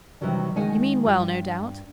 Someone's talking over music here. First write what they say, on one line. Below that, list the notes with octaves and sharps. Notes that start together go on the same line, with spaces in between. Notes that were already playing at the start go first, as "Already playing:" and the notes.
'You mean well, no doubt.
C3 D#3 E3 F#3 G3
D#3 G#3 F#5 G#5
G2 F4